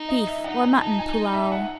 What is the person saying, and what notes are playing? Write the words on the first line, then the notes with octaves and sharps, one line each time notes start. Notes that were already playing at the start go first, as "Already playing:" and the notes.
Beef or Mutton Pullao.
Already playing: D#4
D#5
E5
D#4 F#5
G#5
D#4 A5
G#5
E5
F#5